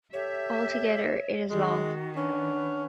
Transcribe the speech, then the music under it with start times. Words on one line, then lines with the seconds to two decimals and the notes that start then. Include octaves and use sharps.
All together, it is long.
0.13 G4 A4 C#5 E5
1.50 D#3 G#3 F#4
2.16 C#4 D4 B4 F#5